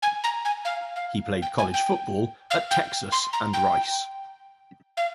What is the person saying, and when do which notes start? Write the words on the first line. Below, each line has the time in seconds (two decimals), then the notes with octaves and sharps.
He played college football at Texas and Rice.
0.03 G#5
0.24 A#5
0.45 G#5
0.65 F5
0.96 F5
1.42 G5
1.58 G#5
1.74 G5
2.51 F5
2.71 G5
3.12 C6
3.33 A#5
3.54 G5
4.97 F5